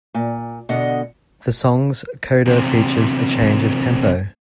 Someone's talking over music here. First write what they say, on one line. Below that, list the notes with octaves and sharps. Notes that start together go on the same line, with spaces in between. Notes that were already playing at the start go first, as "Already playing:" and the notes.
The song's coda features a change of tempo.
A#2
B2 D3 D#5 F#5
E2 C3